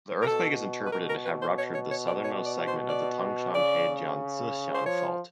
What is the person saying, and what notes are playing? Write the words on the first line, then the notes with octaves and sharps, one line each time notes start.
The earthquake is interpreted to have ruptured the southernmost segment of the Tangshan–Heijian–Cixian Fault.
A#4
B2 A4
B4
B2 A#4
A#4
B4
C5
C#5
C#5
C#5
D5
C#5
D5
C5
D5
C#3 D5
C5
F3 C#5